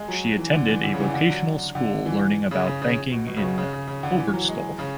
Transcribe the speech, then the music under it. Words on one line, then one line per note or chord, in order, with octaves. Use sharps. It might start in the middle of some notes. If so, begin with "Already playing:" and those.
She attended a vocational school learning about banking in Oberstdorf.
Already playing: G#3
F#3
E3
D3
E3
D3
C#3
E3
D3
D3
F#3
D3
E3
C#3
C#3
C#3
B2
B2
C#3
B2
C#3
C#3
C#3
D3
E3
F#3
G#3
C#3